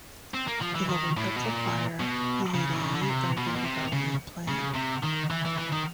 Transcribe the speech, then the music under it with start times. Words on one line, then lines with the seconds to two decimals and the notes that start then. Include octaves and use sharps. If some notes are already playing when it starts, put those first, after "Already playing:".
In the wake of the fire, he made a new urban development plan.
0.35 C4
0.48 A#3
0.62 F3
0.76 E3
0.90 D#3
1.17 A2
1.36 B2
1.44 A#2
2.00 B2
2.55 C#3
2.73 E3
2.82 D#3
2.92 D3
3.01 C#3
3.10 C3
3.38 B2
3.47 A#2
3.56 B2
3.65 C3
3.93 C#3
4.48 C#3
4.76 C3
5.04 D#3
5.31 E3
5.45 E3
5.58 E3
5.72 D#3